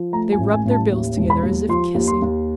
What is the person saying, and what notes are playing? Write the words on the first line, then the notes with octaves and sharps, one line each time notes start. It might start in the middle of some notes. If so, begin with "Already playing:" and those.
They rubbed their bills together as if kissing.
Already playing: F3
A3 A#5
G#5
A1
G#5
A1
A5
D#2
E1
B5
D#2
F3 C6
D#2
C6
D#2